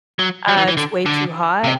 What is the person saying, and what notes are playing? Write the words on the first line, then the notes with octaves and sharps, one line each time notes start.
Uh, it's way too hot.
F#3
F#3
E3
E3
D3
D3
C3